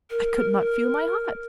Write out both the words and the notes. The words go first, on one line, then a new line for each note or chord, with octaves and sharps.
I could not feel my heart.
A#4